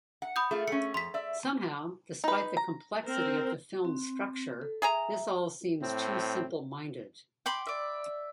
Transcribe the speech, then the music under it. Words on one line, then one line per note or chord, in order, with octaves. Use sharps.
Somehow, despite the complexity of the film's structure, this all seems too simple-minded.
F#5
B5 D#6 G6
A3 F4 G#4
A3 C#4 C#7
F2 C6 B6
D5 E5
D#4 B4
A#5
C4 A#4 C5
C4
A4
G#4 E5 G#5 A#5
A2 C4
G5 B5 C6 D6
D5 E5